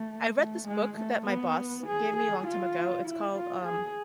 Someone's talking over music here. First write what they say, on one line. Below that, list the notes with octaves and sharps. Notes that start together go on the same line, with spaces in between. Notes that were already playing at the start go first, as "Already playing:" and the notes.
I read this book that my boss gave me a long time ago, it's called, um
Already playing: A3
A3
G#3
A3
B3
G#4
G#4
F4
E4
F4
G#4